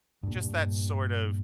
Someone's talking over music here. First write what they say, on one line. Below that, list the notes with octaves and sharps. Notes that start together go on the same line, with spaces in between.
just that sort of
G2 A#2